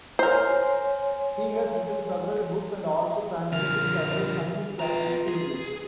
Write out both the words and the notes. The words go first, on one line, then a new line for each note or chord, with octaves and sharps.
He has written several books and also translated several Chinese classics to English.
A#4 C5 C#5 G#5 C6
D3 F3 A#4 F6
B3 F4 B4 A#5
G#4